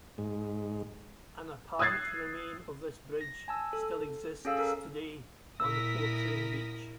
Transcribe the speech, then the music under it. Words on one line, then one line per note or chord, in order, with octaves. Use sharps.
An apparent remain of this bridge still exists today, on the Portrane beach.
G#2
D#6 E6 F#6 G#6 A6 C7
A#6
G#5 A5 E6
A4
C#4 G#4 A4 F5 E6
A4 A#4
A#2 E4 A#4 D#6 E6 A#6 B6